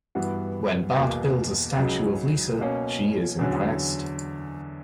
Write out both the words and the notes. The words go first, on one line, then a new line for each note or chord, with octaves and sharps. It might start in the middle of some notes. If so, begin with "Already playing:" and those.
When Bart builds a statue of Lisa, she is impressed.
G2 E3 B3 F#4
E2 B2 A#3
C#2 C#3 F#3
B2 A#3 C#4
E2 D3 F#3 C#4